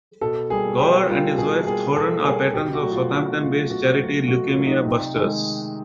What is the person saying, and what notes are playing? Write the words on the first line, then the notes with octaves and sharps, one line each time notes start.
Gower and his wife, Thorunn are Patrons of Southampton-based charity Leukaemia Busters.
B2 A4
G3 A#3 G#4
B2 G4
G3 A#3 F4
B2 G#4
G3 A#3 G#4
B2 A4
G3 A#3 G#4
B2 G4
F#4
F#3 A3
F4
B2 F#4
F#3 A3 F4
B2 F#4
F#3 A3
B2 F#4
F4
F#3 A3
D#4
C3
D#3 G#3